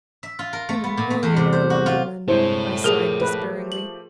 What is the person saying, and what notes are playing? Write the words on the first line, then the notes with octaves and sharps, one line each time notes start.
"And a millionaire lumberman!" I sighed, despairingly.
E5
F4
A#4
A3
B3
A#2
A3
E2
C3
C5
F#4
F4
G2 C3 G#3 E4 A4 C5 C#5
F3 A3 G4 G#4 A#4
B4
F#7